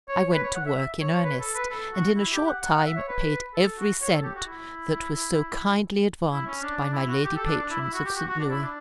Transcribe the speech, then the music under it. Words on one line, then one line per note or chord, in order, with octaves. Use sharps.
I went to work in earnest, and in a short time paid every cent that was so kindly advanced by my lady patrons of St. Louis.
C#5
B4
C#5
F#5
E5
E5
C#5
C#5
B4
A4
B4
A4
F#4
E4
G4
F#5
F#5
F#5
E5
C#5
B4
A4
F#4
C#5
A4
G4
F#4
E4
E4
C#4
D4
D4
E4
F#4
G4
A4
D4
D4
E4
E4
F#4
G4
F#4
F#4
D4
E4
D4